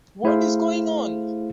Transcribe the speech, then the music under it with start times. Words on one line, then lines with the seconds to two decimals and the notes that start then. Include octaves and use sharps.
What is going on?
0.24 A3 E4 G#4 C5 F5